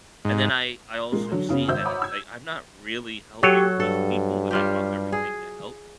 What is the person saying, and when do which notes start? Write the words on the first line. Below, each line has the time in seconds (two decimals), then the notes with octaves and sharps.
and then I I also see that it's, like, I'm not really helping these people that I drop everything to help,
0.25 G#2
1.12 A#2 G#3 A#3
1.32 D3 F#3
1.49 F#2 C#3 B3 C#4
1.68 G#1 C5 E5 E6 G6
1.85 C#5 F#5 A#5 B5 D6 D#6
2.02 E6 G#6
3.43 F#3 G4 A4 C#5
3.80 G2 A4
4.51 G3 F4 G4
5.12 G#4